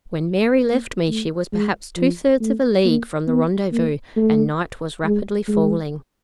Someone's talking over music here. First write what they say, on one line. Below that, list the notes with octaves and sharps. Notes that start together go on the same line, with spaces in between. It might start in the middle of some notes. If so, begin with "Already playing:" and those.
When Mary left me she was perhaps two-thirds of a league from the rendezvous, and night was rapidly falling.
A#3
A3
G#3
F3
A3
A#3
B3
A#3
A3
G#3
G#3